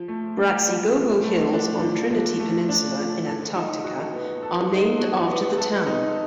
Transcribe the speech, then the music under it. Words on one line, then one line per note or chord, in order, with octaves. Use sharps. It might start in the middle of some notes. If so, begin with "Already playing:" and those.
Bratsigovo Hills on Trinity Peninsula in Antarctica are named after the town.
Already playing: F3
A3
D4
F3
F3
A3
D4
F3
F3
A3
D4
F3
A4
D#4
F#4
B3
A4
D#4
F#4
B3
A4
D#4